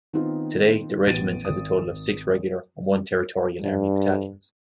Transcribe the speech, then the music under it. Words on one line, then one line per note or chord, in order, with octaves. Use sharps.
Today, the regiment has a total of six regular and one Territorial Army battalions.
D#3 B3 C4 D#4 F4
A1 B3 A6 D7 D#7
G#1 D#6
G2